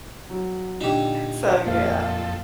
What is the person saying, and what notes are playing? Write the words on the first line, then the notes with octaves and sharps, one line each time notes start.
So yeah.
F#3
A#2 D3 D#4 G4 E7
F2 A#3 A4 F5